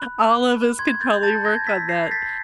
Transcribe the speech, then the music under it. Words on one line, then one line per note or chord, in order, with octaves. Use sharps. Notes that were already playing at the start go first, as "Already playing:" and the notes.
all of us could probably work on that.
Already playing: B5 F#6
B5
C6 G#6
G6 A6
A5 G6 A6
G#6 A#6
E6 A6 B6
A#6 C7
G6 A6 B6